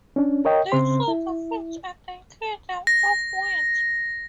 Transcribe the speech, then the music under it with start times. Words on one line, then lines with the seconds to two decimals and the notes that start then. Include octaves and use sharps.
They sow the fields and they clear them of weeds.
0.16 C#4 D4
0.45 A#4 C#5 D#5 G5
0.72 C#3 C4 C5 C6
1.08 E4
2.87 A#6